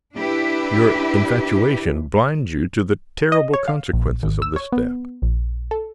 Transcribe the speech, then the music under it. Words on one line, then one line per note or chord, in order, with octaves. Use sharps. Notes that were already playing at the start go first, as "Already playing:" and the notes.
Your infatuation blinds you to the terrible consequences of the step.
D4 E4 G4 B4
D#5
C#5
F5
A#1
G#1
E6
C#5
B3
A#1
A4